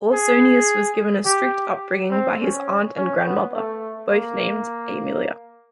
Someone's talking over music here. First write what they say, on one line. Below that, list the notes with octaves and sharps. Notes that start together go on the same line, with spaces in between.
Ausonius was given a strict upbringing by his aunt and grandmother, both named Aemilia.
G#4
G4
C4
C#4
C#4
B3
A3
A#3